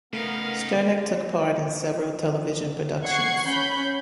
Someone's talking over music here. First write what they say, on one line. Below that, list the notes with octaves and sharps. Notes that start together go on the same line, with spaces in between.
Sterneck took part in several television productions.
C#3 A3 B3 D#4 A#4 F5
F#5 C#6 G#6 C7
C#4 B5 G6